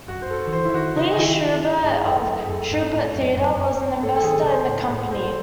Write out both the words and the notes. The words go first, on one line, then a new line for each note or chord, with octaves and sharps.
Lee Shubert of Shubert Theater was an investor in the company.
F#2 F#4
C5
A4
D#3
E3 C5
E4
D#3 F#4
C#3 D#4
D#4
D#3 E4
G#2 G#4
F#2 A4
F#2
G#4
F#2 A4
G#2
A2
F#2
F#2
G#2
F#2
G#2 A4
A4
D#3 G#4
C3
C#3 C5
A2
A2
A2 C5
A4